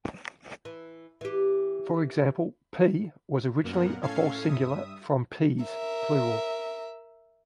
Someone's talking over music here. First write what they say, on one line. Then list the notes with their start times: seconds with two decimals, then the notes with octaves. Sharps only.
For example, "pea" was originally a false singular from "pease" pl.
0.65 E3
1.21 E3 G4
3.64 F#2 A#2 A#3 B3 A#4 F#5
4.01 A2 C#4 A4 F5 G#6 C7
4.48 G2 E5 D#6
5.65 A#4 E5